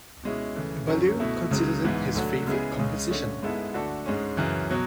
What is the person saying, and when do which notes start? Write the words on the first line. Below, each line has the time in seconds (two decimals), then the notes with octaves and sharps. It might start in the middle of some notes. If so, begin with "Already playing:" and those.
Ballew considers it his favorite composition.
0.23 B2 G#3 C#4 E4
0.56 C#3 E3 A3
0.87 F#2 D3 F#3 C#4
1.19 B2 A3 E4
1.51 C#2 C#3 F#3
1.84 G#2 E3 B3
2.15 D2 D3 F#3
2.47 C#3 G#3 B3 E4 G#4
2.79 C#2 C#3 G#3 C#4
3.10 D3 A3 C#4
3.43 G#2 G#3 B3 E4 A4
3.74 D3 A3 D4 F#4 A4
4.06 G#2 G#3 C#4
4.37 F#2 C#3 E3
4.70 B2 F#3